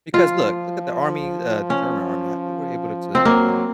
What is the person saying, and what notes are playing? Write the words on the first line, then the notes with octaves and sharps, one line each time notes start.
Because look, look at the army, uh, the German army a they were able to, you know,
F3 F4
C#4
C4
F#3 A#3